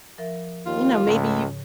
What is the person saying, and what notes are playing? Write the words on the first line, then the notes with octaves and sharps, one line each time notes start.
you know, maybe you
F3 A#4 E5
D#2 F4
C#2 G#2 C#3